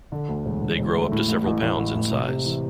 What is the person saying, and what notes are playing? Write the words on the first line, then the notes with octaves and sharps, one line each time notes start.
They grow up to several pounds in size.
D3
D2
E1
E1
E1
A3
A2
A1
A1
A1
A1
A1
C3
C3
E3